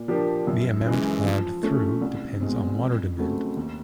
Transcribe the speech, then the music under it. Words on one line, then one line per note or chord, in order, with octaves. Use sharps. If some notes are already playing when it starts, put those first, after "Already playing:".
The amount allowed through depends on water demand.
Already playing: A#2
F3 A#3 D4 G4
F#2
C#3 E3 G#3
F3
A3 C#4
C2
B2 G#3 C4
F2
C#3 F#3 A3 C4
D#2